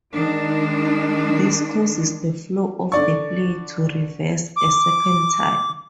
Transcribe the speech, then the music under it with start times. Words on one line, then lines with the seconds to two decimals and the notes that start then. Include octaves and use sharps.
This causes the flow of the play to "reverse" a second time.
0.13 D#3 G#3 D4
2.92 D3 D5 C#6
4.56 D6